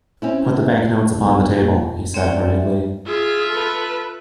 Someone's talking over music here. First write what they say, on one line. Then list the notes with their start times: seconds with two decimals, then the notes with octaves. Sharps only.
"Put the banknotes upon the table," he said hurriedly.
0.22 C4 C#4 E4
1.16 B1
1.59 A#2
2.14 C4 C#5 D5 E5 G5
3.06 F4 G#4 E5
3.50 A4 B4